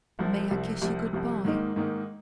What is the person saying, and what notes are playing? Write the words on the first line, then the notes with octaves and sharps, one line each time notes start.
"May I kiss you good-by?"
C2 C3 F3
C2 C3 F3
C2 C3 F3
C2 C3 F3
G#2 D#3 A#3 D#4
G#2 D#3 A#3 D#4